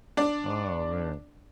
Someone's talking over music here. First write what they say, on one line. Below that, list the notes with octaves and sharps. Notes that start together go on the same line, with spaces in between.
Oh, man.
D4 D5